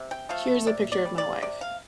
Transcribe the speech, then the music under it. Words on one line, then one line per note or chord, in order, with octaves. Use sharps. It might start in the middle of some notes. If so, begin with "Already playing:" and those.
Here's the picture of my wife.
Already playing: C3
G5
F3 A3 F5
C3 D5
D5
G3
D5
C3 D5
F5